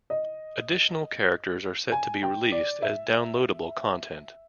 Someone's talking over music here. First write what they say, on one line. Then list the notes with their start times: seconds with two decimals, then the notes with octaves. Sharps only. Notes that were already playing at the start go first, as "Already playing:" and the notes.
Additional characters are set to be released as downloadable content.
0.10 D#5
1.92 G#5
2.23 G5
2.52 D5
2.82 E5